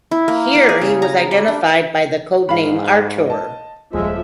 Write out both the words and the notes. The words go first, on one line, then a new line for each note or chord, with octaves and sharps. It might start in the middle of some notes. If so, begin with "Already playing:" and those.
Here he was identified by the code name "Artur".
E4
A#3
D5
G#4
C#3
A#5
G3
D4
G#2 F5 B5
D#5 A5
D#1 F3 G#3 E5